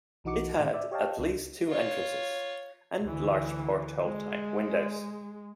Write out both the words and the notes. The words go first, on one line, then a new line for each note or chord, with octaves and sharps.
It had at least two entrances, and large porthole-type windows.
B1 E3 D#4 F#4 D6 C#7
A2 D#3
D5 E5
G4 C#5 D#5 F5 G5 A5
C#2 D4
F4 C#5
D2 E3
G#3